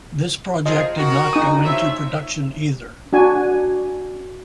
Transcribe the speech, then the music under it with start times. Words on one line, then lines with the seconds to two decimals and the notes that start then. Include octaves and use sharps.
This project did not go into production either.
0.66 F3 G#4 D#5
0.97 D#3 F#4
1.33 D#4 D#6
1.65 F3 C#5 E5
3.13 D4 F#4 G#5